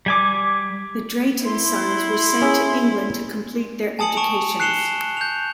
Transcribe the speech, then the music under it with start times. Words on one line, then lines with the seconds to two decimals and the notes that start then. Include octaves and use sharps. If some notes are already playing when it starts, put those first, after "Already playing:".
The Drayton sons were sent to England to complete their educations.
0.06 G3 G#5 D6
1.45 E4 C6
2.42 C#4 G#4 E5
3.99 G#5 A5 D#6 C#7 F#7
4.17 A5 C#6 D7 F7
4.60 F#6 C7 C#7 E7 F7 G7
5.17 G6 F7